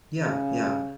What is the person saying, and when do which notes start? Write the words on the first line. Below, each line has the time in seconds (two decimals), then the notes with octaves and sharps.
Yeah, yeah,
0.19 C#3